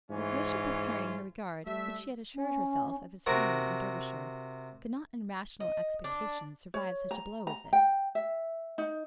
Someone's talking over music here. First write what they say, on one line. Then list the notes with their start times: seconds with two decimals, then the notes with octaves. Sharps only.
The wish of procuring her regard, which she had assured herself of his feeling in Derbyshire, could not in rational expectation survive such a blow as this.
0.11 G#2 E3 C#4 F4
1.65 G3 A3 E5
2.35 C#4
3.26 C3 F#4 A#4
5.60 D#5
6.04 D4
6.74 C#5
7.11 A#5
7.47 A#5
7.73 G5
8.15 E5
8.78 D#4